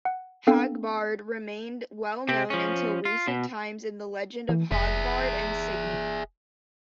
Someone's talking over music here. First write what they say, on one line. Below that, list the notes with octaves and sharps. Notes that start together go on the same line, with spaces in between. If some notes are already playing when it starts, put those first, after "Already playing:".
Hagbard remained well-known until recent times in the legend of Hagbard and Signy.
F#5
B3 C4 D4 A4 F5 G5
C3 C4
F3 C#4
F4
B2
E3
F1 G#4 E5